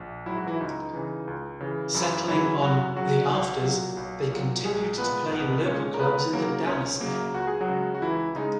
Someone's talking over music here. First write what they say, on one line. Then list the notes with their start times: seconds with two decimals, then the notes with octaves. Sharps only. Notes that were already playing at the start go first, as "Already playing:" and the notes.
Settling on "The Afters", they continued to play local clubs in the Dallas area.
Already playing: A#1
0.26 G#2 F#3 E4
0.37 F#4
0.47 E3 E4
0.61 C#2 D#4
0.93 C#3 E3
1.27 C#2
1.60 C#3 E3
1.94 F#2 E3 E4
2.28 C#3 E3 F#3 E4
2.62 F#2 F#3 F#4
2.95 C#3 F#3 F#4
3.30 B1
3.63 A#2 F#3
3.97 B1
4.30 A#2 F#3
4.64 A#1 G#3 G#4
4.98 A#2 G#3 B3 B4
5.31 A#1 B3 B4
5.65 A#2 G#3 C#4 C#5
5.94 A#4
5.99 C#2 B3 B4
6.33 C#3 F#3 A#3 A#4
6.66 C#2 C#4 C#5
7.01 C#3 F#3 A#3 A#4
7.34 C#2 F#4
7.47 G#4
7.61 F#3 F#4
7.68 C#3 G#3
7.95 F#4
8.02 C#2 E3 E4
8.35 C#3 G#3 D#4